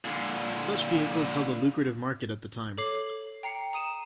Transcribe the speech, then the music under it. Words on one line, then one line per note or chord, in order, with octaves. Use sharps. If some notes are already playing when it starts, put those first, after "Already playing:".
Such vehicles held a lucrative market at the time.
A#2 D3
A4 C#5 D6 C7 F#7
G5 A#5 C7 C#7
A#5 D#6 D#7 E7